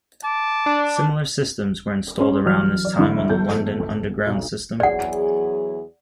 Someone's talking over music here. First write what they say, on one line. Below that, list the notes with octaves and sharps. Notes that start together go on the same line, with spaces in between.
Similar systems were installed around this time on the London Underground system.
A5 D6
D4
C#4 C6
E3 F#3 F6
D5
D3 E4 E5
G1 A4 G6
B1
E2 F#3 G#4 D5 F#5